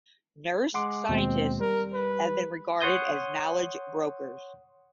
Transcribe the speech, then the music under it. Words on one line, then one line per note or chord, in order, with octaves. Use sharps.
Nurse scientists have been regarded as knowledge brokers.
G#3 F#5 C6 D6
D#2 B2 G#3 C4
G3 A#4
B4
C#5 F#5 C6 D#6 G6